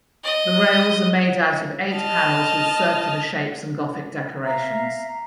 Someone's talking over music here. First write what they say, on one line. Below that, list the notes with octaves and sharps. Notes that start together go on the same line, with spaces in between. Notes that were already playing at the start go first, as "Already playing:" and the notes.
The rails are made out of eight panels with circular shapes and Gothic decorations.
D#5
D#5 A5 F6
E5 F5 A#5